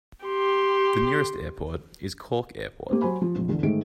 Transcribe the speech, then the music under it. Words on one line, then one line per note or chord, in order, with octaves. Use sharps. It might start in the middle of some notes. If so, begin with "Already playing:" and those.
The nearest airport is Cork Airport.
G4 C6
A#3 G4 C5
F#3 C5 G#5 B5
F3
A#1 F2
E2 D3
G#2 D#3 A3 G#4 D7